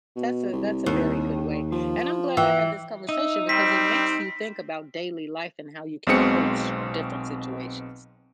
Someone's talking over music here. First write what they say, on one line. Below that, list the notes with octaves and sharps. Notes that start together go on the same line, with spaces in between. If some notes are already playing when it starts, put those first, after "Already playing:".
that's a that's a very good way. And I'm glad I had this conversation because it makes you think about daily life and how you can approach different situations.
B2
C2
D#2
F3
E3 G5 E6
D#4 E5
G3 C4 B6
B1 B2 G#3 C4 C#7